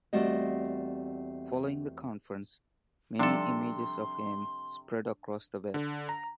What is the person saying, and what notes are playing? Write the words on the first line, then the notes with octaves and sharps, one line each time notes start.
Following the conference, many images of him spread across the Web.
E2 G3 A3 C4 F#4 D#5
C3 F3 G3 D4 D#4 A4 C6
D3
A#5